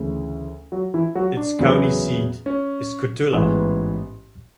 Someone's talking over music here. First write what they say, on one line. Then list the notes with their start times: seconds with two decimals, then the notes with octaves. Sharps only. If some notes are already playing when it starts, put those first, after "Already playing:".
Its county seat is Cotulla.
Already playing: D2 C#3 E3
0.72 F#3 F#4
0.94 E3 E4
1.15 F#3 F#4
1.37 D4
1.59 E2 C#3 F#3 B3
2.46 C#4
3.32 A1 G#2 E3 B3